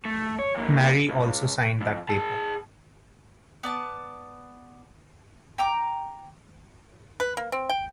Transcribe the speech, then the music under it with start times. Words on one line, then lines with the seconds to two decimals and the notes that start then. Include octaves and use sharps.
Mary also signed that paper.
0.05 A3
0.39 C#5
0.55 F2 A#3
1.09 C#2
1.81 F2
2.09 G#4 A5
3.63 B3 D5 A5
5.58 G5 A#5 D6
7.20 B4
7.37 A#3
7.52 C4
7.69 G5